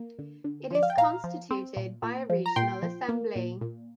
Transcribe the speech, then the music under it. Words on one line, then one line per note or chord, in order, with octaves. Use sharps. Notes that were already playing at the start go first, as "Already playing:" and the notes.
It is constituted by a "Regional Assembly".
Already playing: A#3
D3
D3
F3 D5
F5
G5
A#2 F5 A#5
F3
C4
A#2
A#2
F3
A#5
A#2 G5 C6
F3
A#3
A#2
A#2